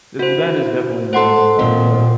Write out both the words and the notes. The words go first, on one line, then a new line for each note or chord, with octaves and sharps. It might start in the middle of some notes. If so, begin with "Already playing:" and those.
w that is definitely annoying, but
E4 F#4 C5
G#2 A4 C5 F#5 C6
A#2 D#3 F3 C4